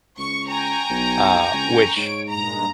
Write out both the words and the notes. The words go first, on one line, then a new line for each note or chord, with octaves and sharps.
uh, which,
C#2 C#6
G5 G#5 A#5 C#6
B1
C#2
G#2 C#5 D7
G2 A#2 G#3 A#5